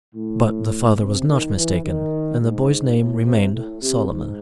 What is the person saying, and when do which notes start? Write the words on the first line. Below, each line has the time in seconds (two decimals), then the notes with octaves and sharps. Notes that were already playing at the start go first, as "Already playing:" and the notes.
But the father was not mistaken, and the boy's name remained Solomon.
0.15 A2
1.00 C3
1.28 D#3
1.56 E3
1.85 D#3
2.40 G#2
2.97 A2
3.25 C3
3.53 A2
3.82 C3
4.09 G#2